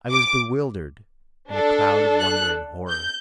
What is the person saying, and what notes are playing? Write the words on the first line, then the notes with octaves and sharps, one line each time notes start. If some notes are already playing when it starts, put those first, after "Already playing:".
I was bewildered, in a cloud of wonder and horror.
D6
D4 A4
F#6
G6